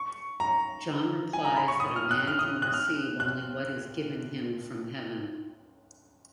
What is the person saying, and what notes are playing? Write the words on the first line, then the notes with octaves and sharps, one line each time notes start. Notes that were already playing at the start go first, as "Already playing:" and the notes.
John replies that A man can receive only what is given him from heaven.
Already playing: C#6
A#5
G#5
A#5
B5
C#6
D#6
F6
F#6
F6
D#6
F#6
F6
F#6